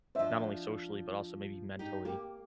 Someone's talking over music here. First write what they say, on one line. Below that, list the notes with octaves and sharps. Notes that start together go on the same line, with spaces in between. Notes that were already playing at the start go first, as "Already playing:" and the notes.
not only socially, but, also maybe mentally.
F3 D4 C5 D#5 E5
D#4 G4
A#3 G4